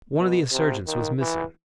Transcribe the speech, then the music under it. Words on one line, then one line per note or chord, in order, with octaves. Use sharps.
One of the insurgents was missing.
B2
C3
D#3
E3